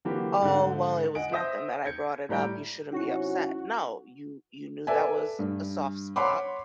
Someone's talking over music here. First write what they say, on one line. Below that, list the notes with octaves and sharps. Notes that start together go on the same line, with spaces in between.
oh well, it was nothing that I brought it up, you shouldn't be upset. No, you you knew that was a soft spot,
D3 E3 F#3 A#3 G4 B5
G#2 D3
D#5 F#5 G#5 D7
C5 E5 D#6 G6 A#6
G6 G#6 C#7
A2 G3 A#5 G6 D7
C3 F#3 C#4 D#4 E4 F#4
A4 B4 D5 E5 G#5
G2
C#5 F#5 B5 C6 D6